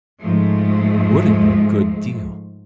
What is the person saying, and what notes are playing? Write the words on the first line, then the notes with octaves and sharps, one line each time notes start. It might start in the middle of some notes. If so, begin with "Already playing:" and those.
It would have been a good deal.
G#2 F3 G#3 A3